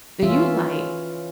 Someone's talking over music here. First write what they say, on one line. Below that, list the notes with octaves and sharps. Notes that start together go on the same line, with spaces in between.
Do you like
E3 C#4 F4 E5